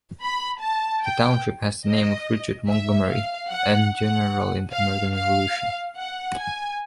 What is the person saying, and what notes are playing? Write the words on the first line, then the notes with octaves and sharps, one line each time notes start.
The township has the name of Richard Montgomery, an general in the American Revolution.
B5
A5
G5
D#5
E5
F5
F#5
F#5
F5
F5
F#5
G#5